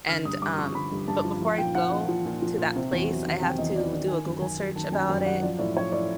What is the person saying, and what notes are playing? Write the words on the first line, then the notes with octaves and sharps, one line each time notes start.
and um but before I go to that place, I have to do a Google search about it,
D3 F6
G2 D#6
G2 D6
F3 C#6
D3 B5
G2
G2 A5
F3
F3
A#2 G5
F3 F#5
A#2
F3
A#2
F3
A#2
C3
E2
F#3
D#3
C3 G5
E2 D#5
F#3 D5
D#3 D5
D#3 G#5
F#2
F#2 G#5
F#3
D#3 A5
F#2 G#5
F#2 G5
F#3 F#5
F3 D5
A2 D5
F3 C#5
A2 D5